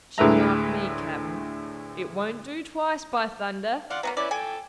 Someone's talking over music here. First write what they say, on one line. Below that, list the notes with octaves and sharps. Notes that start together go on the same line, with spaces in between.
But you mark me, cap'n, it won't do twice, by thunder!
D2 A2 G#3 B4 E5 A#5
F4 D5 F#5
F#3 G#3 A#3 B3
C#4 E4 B4 D5
A4 G5 G#5